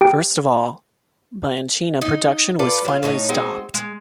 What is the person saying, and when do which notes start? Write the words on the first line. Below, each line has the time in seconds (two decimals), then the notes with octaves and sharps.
First of all, Bianchina production was finally stopped.
0.01 G4 G5
2.01 D#4 D#5
2.59 F4 A4 B4 D5
2.85 F#3 F4
3.03 A2 D4 D#4 C#5
3.29 G#3 C4 D#4 F#4
3.74 G#3